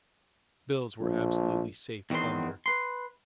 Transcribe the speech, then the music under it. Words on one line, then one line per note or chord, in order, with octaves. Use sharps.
Bills were absolutely safe plunder.
A#1
E2 D#3 F#3 B3 C4 C6
B4 C6